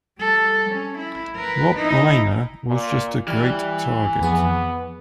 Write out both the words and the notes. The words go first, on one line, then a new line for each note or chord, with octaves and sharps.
Rob Reiner was just a great target.
G3 A4
C#4
E4
A#4 B4
D#4 E4
A#2
E3 G3 F6
F2 B3 G#4